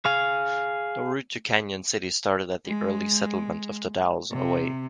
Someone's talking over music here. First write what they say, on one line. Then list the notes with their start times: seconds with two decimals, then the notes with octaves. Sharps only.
The route to Canyon City started at the early settlement of The Dalles, away.
0.05 G#4 F5
2.66 G#3
4.31 C3